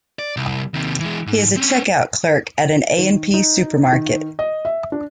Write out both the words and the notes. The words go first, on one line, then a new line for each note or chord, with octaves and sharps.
He is a checkout clerk at an A and P supermarket.
D5
C2
D#2 C3
E3 G#3
G#2
C4 C#4
D#3
D#4
D#3
D#5
E5
D4